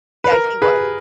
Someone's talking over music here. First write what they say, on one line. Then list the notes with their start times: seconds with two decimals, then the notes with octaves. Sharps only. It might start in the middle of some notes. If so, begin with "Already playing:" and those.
Yeah, he wa
0.24 B4
0.32 A#4
0.62 G#4 B4